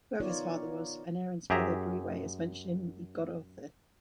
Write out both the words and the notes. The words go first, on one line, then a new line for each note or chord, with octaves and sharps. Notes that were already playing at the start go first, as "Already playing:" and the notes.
Whoever his father was, Aneirin's mother, Dwywei is mentioned in "Y Gododdin".
B3 D#4 F4 A#4 C#5 D5
F#2 G4 G#4 E5 A#5